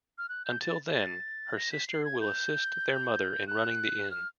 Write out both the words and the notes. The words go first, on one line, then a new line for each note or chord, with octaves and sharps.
Until then, her sister will assist their mother in running the inn.
F6
F#6
G6
A6
A6
A#6
B6
C7
G#6
G6
F#6
F6